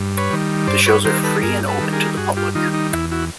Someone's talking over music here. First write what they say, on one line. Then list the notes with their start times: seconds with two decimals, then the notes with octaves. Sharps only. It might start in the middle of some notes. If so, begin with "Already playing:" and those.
The shows are free and open to the public.
Already playing: G2
0.17 B4 C#5
0.30 D#3 G3
0.67 G2 C5 D5
0.86 B4 C#5
1.05 D#3 G3 A#4 C5
1.24 A4 B4
1.42 G2 G#4 A#4
1.68 A4 B4
1.80 D#3 G3
1.92 G#4 A#4
2.17 G2 F#4 G#4
2.37 F4 G4
2.55 D#3 G3 D#4 F4
2.74 D#4
2.92 E2 E4
3.11 E4 F#4